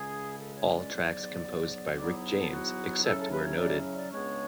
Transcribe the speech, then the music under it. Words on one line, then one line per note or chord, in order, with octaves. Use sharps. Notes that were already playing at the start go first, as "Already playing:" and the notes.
All tracks composed by Rick James, except where noted.
Already playing: C#2 C#3 G#3 C#4 G#4
A4
C#5
C#5
D5
G#2 F#3 B3
G#2 F#3 B3 E4 D5
A4
F#4
C#3 F#3 C#4 E4 A4
A4
B4
C#5
D5
D5
C#2 C#3 G#3 B3 D4 C#5